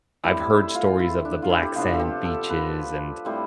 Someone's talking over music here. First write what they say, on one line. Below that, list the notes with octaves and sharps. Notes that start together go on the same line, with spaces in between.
I've heard stories of the black sand beaches, and
A2 G3 C4 E4
E4
F4
E4
D4
F4
E4
G4
C3 F3 B3 D4 F4
A4
G4
A4
B4
A2 G3 C4